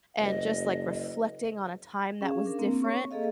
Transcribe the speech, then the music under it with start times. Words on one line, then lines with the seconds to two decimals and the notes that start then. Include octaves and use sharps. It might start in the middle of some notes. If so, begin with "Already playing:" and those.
and just, like, reflecting on a time that was different,
0.20 F#1 D#5
2.21 C#4 G#4 F5
2.46 D4 A#4
2.59 A#3 C4
2.82 C#5 C#6
3.11 A#3 G#4 A4 D#5 F5